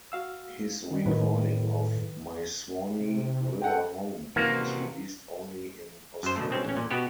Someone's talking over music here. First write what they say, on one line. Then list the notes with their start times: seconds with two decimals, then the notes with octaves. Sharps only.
His recording of "My Swanee River Home" was released only in Australia.
0.12 F#4 F5 E6
0.91 D#3 G3
1.06 A2 D#3 F#3 B4
3.00 C3
3.62 A4 F#5 G5
4.36 C3 E3 A#3 C4 C#4 F#4
6.23 F#2 C5
6.36 B2 D3 A3
6.50 B2 C4 C#4
6.65 A1 C#4
6.77 A#2
6.91 B2 B3 F#4 G4